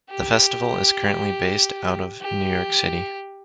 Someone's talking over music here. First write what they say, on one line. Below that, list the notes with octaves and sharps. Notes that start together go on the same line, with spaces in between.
The Festival is currently based out of New York City.
G4
G4